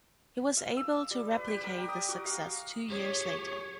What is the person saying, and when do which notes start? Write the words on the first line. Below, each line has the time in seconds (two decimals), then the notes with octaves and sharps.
He was able to replicate this success two years later.
0.57 F5
0.77 E6
1.11 G3
1.31 B4
1.48 G4
1.64 A#4
1.76 G5
1.88 D#6
2.09 F#4
2.25 F5
2.90 G4 G#4 C#5